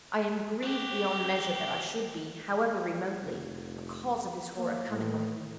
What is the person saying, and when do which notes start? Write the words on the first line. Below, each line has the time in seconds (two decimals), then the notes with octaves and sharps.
I am grieved beyond measure that I should be, however remotely, a cause of this horror coming on you.
0.63 F#4 G4
3.18 F1
4.57 A#3
4.89 A2